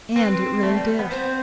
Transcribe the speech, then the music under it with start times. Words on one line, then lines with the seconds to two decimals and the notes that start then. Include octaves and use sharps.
And it really did.
0.16 C4 B4
0.63 A3 D5
0.75 G3
0.99 B3
1.11 C4 C5